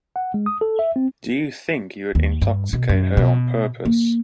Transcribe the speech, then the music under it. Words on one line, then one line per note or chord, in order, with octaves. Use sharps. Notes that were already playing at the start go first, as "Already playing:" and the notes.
Do you think you would intoxicate her on purpose?
F#5
G#3
D#6
A4
E5
C4
D#2
G2
B2
F#2
B2
A#3